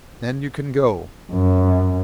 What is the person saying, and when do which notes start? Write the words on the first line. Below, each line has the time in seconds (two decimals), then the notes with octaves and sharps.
Then you can go.
1.32 F#2